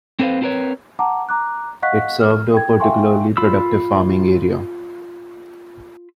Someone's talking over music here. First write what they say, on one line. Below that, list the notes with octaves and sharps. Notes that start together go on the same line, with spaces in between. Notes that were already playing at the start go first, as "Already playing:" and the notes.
It served a particularly productive farming area.
C4 A4 B4 C5 F5
C4 E4 F4 A#4 B4 C#5
F#5 A5 A#5 D6
A#5 D6 F#6
D#5 F5 F#5 C#6 F#6 B6
F6
G5 G#6
E5 F5 G5 G#5 C6 C#6
F4 B5 E6